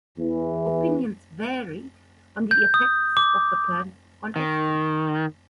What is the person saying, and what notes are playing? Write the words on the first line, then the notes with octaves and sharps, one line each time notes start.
Opinions vary on the effects of the plan on Ashton.
E2 E3
G6
D#6
D6
D#3